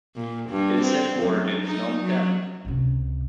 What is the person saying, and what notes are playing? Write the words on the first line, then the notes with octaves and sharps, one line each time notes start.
It is headquartered in Phnom Penh.
A#2
G2
C4
F#2
D#4
F#3
C#2 C3